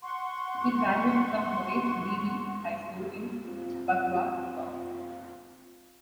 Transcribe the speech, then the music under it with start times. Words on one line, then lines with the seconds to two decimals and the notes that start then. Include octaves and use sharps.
He graduated from Horace Greeley High School in Chappaqua, New York.
0.02 F#5 C6 C#6
3.45 C4 F4